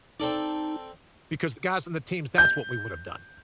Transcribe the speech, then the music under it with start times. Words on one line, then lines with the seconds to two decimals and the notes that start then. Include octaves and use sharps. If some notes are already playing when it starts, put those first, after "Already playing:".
because the guys on the teams, that's what we would have done.
0.20 C4 D#4 A4 D5
2.38 G6